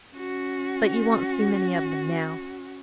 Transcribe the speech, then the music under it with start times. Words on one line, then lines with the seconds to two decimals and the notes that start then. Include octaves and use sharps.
But you won't see many of them now.
0.14 C#4 F#4